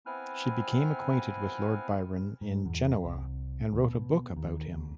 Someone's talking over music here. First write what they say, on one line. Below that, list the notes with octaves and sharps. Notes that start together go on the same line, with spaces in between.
She became acquainted with Lord Byron in Genoa and wrote a book about him.
B3 C4 E4 G#5 F6 F#6
G#2
E2
C2
D2
B2
D#2
D2